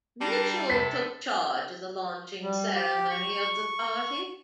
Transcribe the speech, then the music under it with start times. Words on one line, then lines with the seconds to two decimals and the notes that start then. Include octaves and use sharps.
Mitchell took charge of the launching ceremony of the party.
0.21 G3 D4 A5 A#5 C6
0.70 C3 A4 B6
2.43 G3
2.74 G4
3.10 C#6